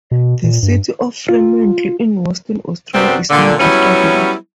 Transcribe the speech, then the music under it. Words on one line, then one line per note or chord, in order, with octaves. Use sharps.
The city of Fremantle in Western Australia is named after him.
B2
A#2
G2
F4
F#2 C3 B3 C4 F#4 D5
A#2 D3
F#3 G3 B3 C#4 E4